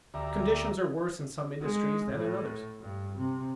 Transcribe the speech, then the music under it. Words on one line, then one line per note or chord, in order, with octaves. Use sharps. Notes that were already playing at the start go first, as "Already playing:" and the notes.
Conditions are worse in some industries than in others.
D2 G4 D5 E5 A#5
G#3
A2
G2
C3